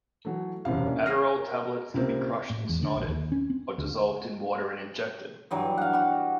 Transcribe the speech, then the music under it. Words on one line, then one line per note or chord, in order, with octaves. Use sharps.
Adderall tablets can be crushed and snorted, or dissolved in water and injected.
E3 F#3 A3
E1 F#2 A2 C3 F5
A#3 C#4 D4
F6 A#6 C7 D#7
A#4
C#2 A2 C3 A#3 C4
A2
E2
D3
A#1
D#2
C#4
C4
D2
G2 E3 F#3 G3
F5 F#5
G3 F#4